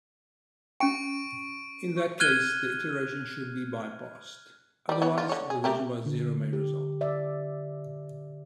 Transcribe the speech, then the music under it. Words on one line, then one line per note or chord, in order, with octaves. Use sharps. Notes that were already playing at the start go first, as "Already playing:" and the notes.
In that case the iteration should be bypassed; otherwise, division by zero may result.
C#4 G5 C#6 D7
F6 F#6 G#6 D#7 G7
G3 D5
B3 D4 C#5
D3 F4
D3 C#5
G#4
A3 G4 A#4
D3
G4
D5 E5